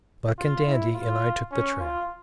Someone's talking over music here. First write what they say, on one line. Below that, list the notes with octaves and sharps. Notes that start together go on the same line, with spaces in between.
Buck and Dandy and I took the trail.
F4
E4
F4
C#4
F4